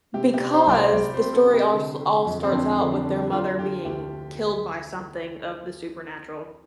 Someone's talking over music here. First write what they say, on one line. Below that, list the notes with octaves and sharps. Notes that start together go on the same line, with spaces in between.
because the story all s all starts out with their mother being killed by something of the supernatural
C3 G4
G4
C3
C5
C2 D5
C5
C2 D5
C5
C3
A4
C3
G4
D3
D3
F2
C4
F2 D4
D3
D4
D3
D3 F4
D3 G4
D2 G4